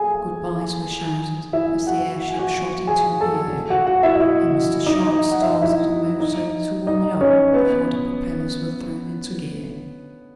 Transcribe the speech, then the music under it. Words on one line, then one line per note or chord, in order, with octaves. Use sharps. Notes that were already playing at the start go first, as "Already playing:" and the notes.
Good-bys were shouted as the airship shot into the air, and Mr. Sharp started the motor, to warm it up before the propellers were thrown into gear.
Already playing: G#4 A4 G#5
E4 E5
F#4 F#5
F#5
G#5
F#4 F#5
G#4 G#5
A4 A5
F#4 F#5
F#4 F#5
E4 E5
D#5
E4 E5
D#4 D#5
D#4 D#5
F#5
E5
D#5
E4 E5
D#4 D#5
D#4 D#5
C#4 C#5
B3 B4